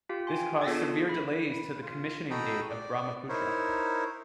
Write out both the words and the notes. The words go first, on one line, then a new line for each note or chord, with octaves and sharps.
This caused severe delays to the commissioning date of "Brahmaputra".
F4 G4 F5
G5 G#5 C6
B3 D4 F4 G#4 A4 C#5
B5
B4
F4
F#4 A4 D#5 G5 A#5 B5
D5
D#4 E4 A#4 C5 C#5